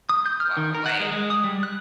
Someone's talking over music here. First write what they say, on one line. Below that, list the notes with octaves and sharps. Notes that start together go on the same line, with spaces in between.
walk away.
D#6
G6
F6
D#3
A#4
F#5
G#3
G#3
D#6
G3
F#6